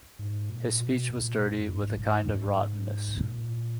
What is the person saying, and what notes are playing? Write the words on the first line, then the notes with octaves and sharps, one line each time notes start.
His speech was dirty, with a kind of rottenness.
G#2
A#2
B2
A#2
F#2
G#2
G#2
A#2